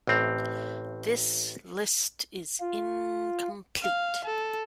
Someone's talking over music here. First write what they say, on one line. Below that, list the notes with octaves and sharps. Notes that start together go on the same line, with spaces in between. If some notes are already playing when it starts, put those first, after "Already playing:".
This list is incomplete.
A1 A2 C4 A#5
F4
F5
A4